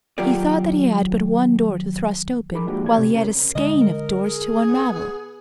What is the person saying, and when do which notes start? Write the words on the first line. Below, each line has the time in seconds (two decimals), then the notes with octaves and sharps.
He thought that he had but one door to thrust open, while he had a skein of doors to unravel.
0.18 D#2 F#3 F4 G4 A#4 D5
2.53 D#4 G#4 A#4 B5 D6
2.67 F3 G#3 A#3 D4 F#4 G4
2.84 E3 A3 D5 G#6
2.98 C3
3.15 C#4 A#4
3.55 D3 G#3 D#5
3.82 A#4
4.24 G#4
4.69 B3